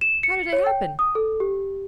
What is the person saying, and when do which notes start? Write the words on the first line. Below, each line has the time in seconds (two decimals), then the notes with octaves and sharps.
"How did it happen?"
0.01 E7
0.23 C#7
0.53 C#5
0.66 G5
0.99 D#6
1.15 A4
1.40 G4